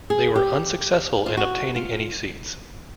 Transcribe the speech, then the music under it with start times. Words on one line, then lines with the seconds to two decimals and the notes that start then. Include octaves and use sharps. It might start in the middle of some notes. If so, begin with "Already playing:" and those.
They were unsuccessful in obtaining any seats.
0.10 G#4
0.35 G4
1.26 F4
1.37 F#4
1.76 F4